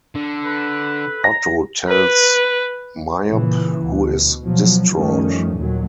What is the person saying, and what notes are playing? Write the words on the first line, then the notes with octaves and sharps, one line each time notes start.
Otto tells Miep, who is distraught.
D3
A4 B4
A#5 A#6
B4
A#2 C#3 E3
D2 B2
B2 F3 F#3
F#2 D#3 F3 G3 A3 C#4
D#2 A#2 F#3